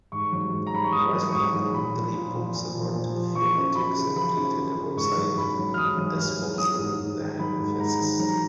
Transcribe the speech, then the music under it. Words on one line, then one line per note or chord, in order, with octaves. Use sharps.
Washburn wrote three books about theomatics and created a website espousing the hypothesis.
G#2 C#6
F#3
G#2
A#5
F#3 B5
C#6
G#2 D#6
F#3
C#6
G#2 D#6
F#3
A#2 B5
F3
A#2
F3
A#2
F3
A#2
F3
F3 C#6
F#2
F#2 B5
C#3
F3 B5
F#2
F#2
C#3
G#2 C#6
F#3
G#2 B5
F#3
F6
G#2 D#6
F#3
G#2 F6
F#3
F#3 D#6
G#2
G#2
D#3
F#3 B5
G#2
G#2 A#5
D#3
F#3 A#5